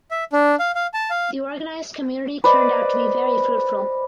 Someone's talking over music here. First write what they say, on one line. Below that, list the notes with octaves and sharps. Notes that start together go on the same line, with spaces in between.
The organized community turned out to be very fruitful.
E5
D4
F5
F5
A5
F5
B4 C5 D5 D#5